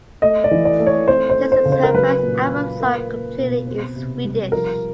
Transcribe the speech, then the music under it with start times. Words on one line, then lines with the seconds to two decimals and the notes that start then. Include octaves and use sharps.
This is her first album sung completely in Swedish.
0.22 A3 D#5
0.44 D5
0.51 E3
0.65 D5
0.80 A3
0.86 C#5
1.08 C4 C5
1.30 C5
1.37 C4
1.52 C5
1.65 C#3
1.72 C5
1.83 A#4
1.94 F#3 B4
2.23 A#2
2.52 A#2
2.80 A#3
3.09 A#3
3.38 B2
3.67 C4
3.96 C3
4.24 G3
4.52 F3 A#4